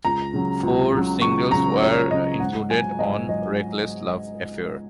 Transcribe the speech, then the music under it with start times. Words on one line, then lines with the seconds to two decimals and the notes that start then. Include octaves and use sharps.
Four singles were included on "Reckless Love Affair".
0.05 C#2 A#5
0.33 C#3 F#3
0.63 C#2
0.93 C#3 F#3
1.22 C#2 C#6
1.51 C#3 F#3 A#5
1.82 C#2 C#5
2.10 C#3 F#3 D#5
2.40 G#2 F#5
2.70 F#3 G#5
2.99 G#2 D#5
3.29 F#3 D#5